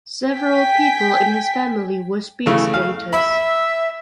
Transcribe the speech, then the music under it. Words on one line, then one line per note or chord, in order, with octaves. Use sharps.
Several people in his family were speed skaters.
G5 G#5 B6
C#3 E3 A3
F5
E5 B5